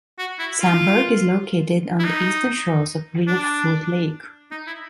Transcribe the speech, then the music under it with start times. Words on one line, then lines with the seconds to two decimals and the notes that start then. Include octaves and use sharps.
Samburg is located on the eastern shores of Reelfoot Lake.
0.19 F#4
0.39 E4
0.60 F4
1.99 E4
2.04 D#4
3.27 D4
4.51 D#4
4.67 E4